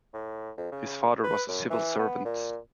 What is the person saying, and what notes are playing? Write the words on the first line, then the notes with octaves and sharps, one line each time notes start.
His father was a civil servant.
A2
F2
C#3
B4
F#2
E3
B3
A#2